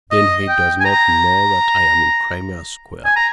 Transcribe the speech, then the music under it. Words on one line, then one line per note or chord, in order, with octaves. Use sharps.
"Then he does not know that I am in Crimea Square."
D#5
G5
G#5
A#5
G#5
A#5